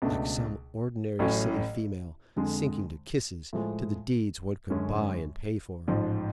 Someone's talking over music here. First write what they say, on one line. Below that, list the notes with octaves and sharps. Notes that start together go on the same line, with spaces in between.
Like some ordinary silly female, sinking to kisses, to the deeds one could buy and pay for.
C#2 B2 A3 D4
A1 A2 F#3 C#4
F2 D3 G#3
A2 F3 G#3
F#2 D3 G#3 C#4
A1 G#2 F3